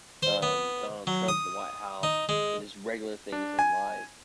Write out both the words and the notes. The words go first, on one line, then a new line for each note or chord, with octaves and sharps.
um, Donald Trump in the White House and his regular things in life,
C5
B3
F#3
D#6
D#4
G#3
D4
G#5